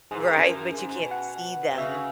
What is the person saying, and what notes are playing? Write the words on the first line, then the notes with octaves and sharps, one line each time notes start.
Right, but you can't see them.
G#2 G#4
A#2
G#2 A#4
F#2
G#5
G#2
G#2
B2
F#5
B2
C#3 E5